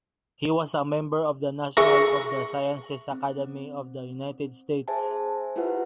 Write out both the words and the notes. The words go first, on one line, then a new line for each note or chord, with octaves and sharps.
He was a member of the National and of the Sciences Academy of the United-States.
G#4 E5 C#6 A#6
C4
G#4 C5 E5 G#5 A5
E4 F4 G4 B4 E5 F#5